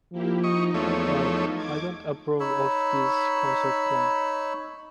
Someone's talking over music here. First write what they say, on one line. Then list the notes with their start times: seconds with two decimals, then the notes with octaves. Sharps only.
But I don’t approve of this concert plan.
0.12 F3 A#3 E4 G4
0.44 D#4 D#5 C#6
0.74 E2 F3 A3 C#5
1.54 D6 G#6
2.40 D#4 C#5 B5 E6